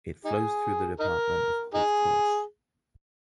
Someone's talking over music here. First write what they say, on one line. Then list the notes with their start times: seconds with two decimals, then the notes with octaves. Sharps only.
It flows through the department of Haute-Corse.
0.25 D#4 G#4
1.00 D#4 A#4
1.74 D#4 G#4